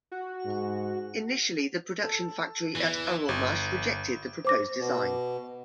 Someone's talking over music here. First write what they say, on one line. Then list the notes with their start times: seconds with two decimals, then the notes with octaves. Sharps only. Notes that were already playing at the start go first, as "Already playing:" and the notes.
Initially the production factory at Uralmash rejected the proposed design.
0.12 F#4
0.45 G#2
2.03 A4
2.75 E2 E3
3.29 G1
4.45 C5 D6 A#6
4.79 B2